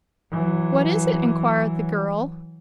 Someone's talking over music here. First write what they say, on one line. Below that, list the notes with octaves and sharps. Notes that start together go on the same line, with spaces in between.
"What is it?" enquired the girl.
E3 F#3